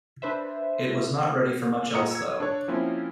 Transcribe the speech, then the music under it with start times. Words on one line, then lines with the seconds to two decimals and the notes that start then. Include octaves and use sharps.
It was not ready for much else, though.
0.22 D4 B4 C5 E5
1.94 A#2 D#5 A#5 D#6 C#7
2.11 E6 G#6
2.40 D4 A4 C#5
2.68 F3 A#3 C4 C#4 E4 F4